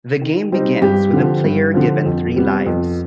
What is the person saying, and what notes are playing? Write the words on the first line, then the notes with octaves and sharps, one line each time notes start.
The game begins with the player given three lives.
D#3
G3 C4 D#4
G2 G4
D3 F3
G2
D3 F3
F2
C3 G3 B3
F2